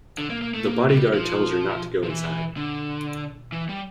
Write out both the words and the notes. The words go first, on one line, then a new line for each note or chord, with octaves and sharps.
The bodyguard tells her not to go inside.
D3
A#3
A#3
A3
A#3
G3
F3
F3
E3
D3
E3
G3